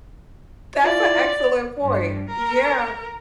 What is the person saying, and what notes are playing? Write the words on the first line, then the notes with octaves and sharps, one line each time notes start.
That's an excellent point. Yeah.
E4 F4 D5
G2
A#4